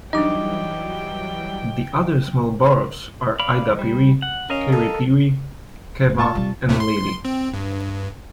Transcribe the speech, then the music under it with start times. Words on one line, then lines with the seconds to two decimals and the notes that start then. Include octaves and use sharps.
The other small boroughs are Eidapere, Kaerepere, Keava and Lelle.
0.13 E3 F#3 G3 D4 D#4 D#5 G5 D6
3.40 D5 F5 B5
3.79 G3
4.22 F#5
4.50 C#4 A#4 D#5 F5
4.72 A4
6.06 E1 A2
6.18 F4 A5 C#6
6.35 C3 G3
6.68 D#2 C3 A3
6.80 C6
7.25 C4
7.54 G2